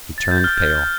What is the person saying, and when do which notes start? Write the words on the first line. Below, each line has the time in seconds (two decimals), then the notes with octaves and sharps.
He turned pale.
0.18 A6
0.31 G6
0.44 F6
0.58 G6